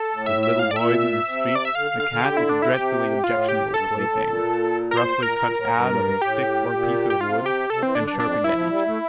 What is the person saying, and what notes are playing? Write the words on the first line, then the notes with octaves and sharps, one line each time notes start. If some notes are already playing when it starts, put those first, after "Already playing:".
With little boys in the street a Cat is a dreadfully objectionable plaything, roughly cut out of a stick or piece of wood, and sharpened at each end.
Already playing: A4
A2
E5
E5
F5
D5
A#2 E5
C3
D5
E5
D3 F5
D3
F5
D3
D3 G4
E4
D4
E4
C3 G4
A2 F4
G4
A2
G2 A4
F2
G2
A2
A#2
A#4
C5
A#2 A#4
A#2
A2
G2
A2 G4
A#2
G4
C3 F4
G4
C3 A4
E3 C4
D3 D4
G2 D4
F2 D4
G2
E4
F3
G3
A3